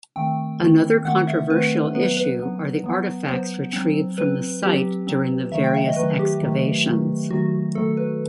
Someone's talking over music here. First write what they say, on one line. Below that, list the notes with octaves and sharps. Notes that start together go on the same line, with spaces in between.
Another controversial issue are the artifacts retrieved from the site during the various excavations.
D#3 A3 C4 G5
D#3 A3 C4
D#3 A3 C4 F#5
E5
D#3 A3 C4 B4
F#3 B3 B4
B4
F#3 B3
F#3 B3
F#3 B3 C5
F#3 C4
F#3 C4 B4
F#3 C4 G4
F#3 C4
D#3 F#3 A3 E5
G5
E5
D#5
D#3 F#3 A3 B4
G4
D#3 F#3 A3
D#3 F#3 A3
D#3 F#3 A3 F#4
D#3 F#3 A3 A4
B4